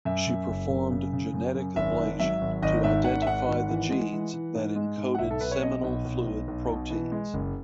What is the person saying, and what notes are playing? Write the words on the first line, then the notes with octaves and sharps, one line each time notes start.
She performed genetic ablation to identify the genes that encoded seminal fluid proteins.
F#2 E5
F#2
F#1
F#2
C#3
C#3
F#2
F#2
G#1 E5
G#2
F#3 E5
G#1
G#1 D#5
G#2 E5
G#1 F#5
E5
G#2 F#5
G#1
E3
G#3
E3
E3
G#2
G#3
G#2
F#5
B1 E5
A4
B1 B4
C#5
B2 D#5
B1
B1
B1
B1
B2
E3
G#3
F#1